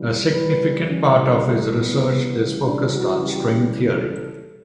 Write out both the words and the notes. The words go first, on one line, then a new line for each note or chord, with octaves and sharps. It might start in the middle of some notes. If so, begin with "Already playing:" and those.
A significant part of his research is focused on string theory.
Already playing: C#3 E3 G3
B4
C#4
A3
B3
C#3 E3 G3
D4
F#4
G4
A4